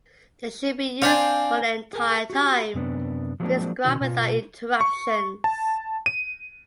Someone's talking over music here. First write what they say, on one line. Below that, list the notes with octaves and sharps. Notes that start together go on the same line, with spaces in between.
They should be used for the entire time prescribed without interruptions.
C4 D4 C5 F5 G#5
G#4 A#4 G#5
F#4 G4
F#2 C3 B3 D4
F3 F#3 G#3 A#3 C4 D4
B2 D3 D#3 D4 F#4
B2 F4
C#6
A5
D#7